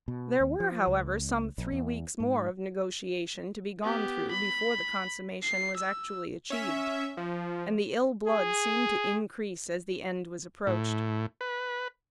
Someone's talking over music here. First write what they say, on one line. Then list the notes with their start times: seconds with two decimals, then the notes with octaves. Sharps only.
There were, however, some three weeks more of negotiation to be gone through before the consummation was actually achieved, and the ill blood seemed to increase as the end was approached.
0.08 B2
0.40 D#2
0.60 F3
0.87 C#2
1.58 A#1
1.72 E2
2.20 G#2
3.83 B3 G4
4.31 B5
5.42 C7
5.77 E6
6.50 C#4 E5
7.17 F3
8.27 G#4
10.67 A2
11.41 B4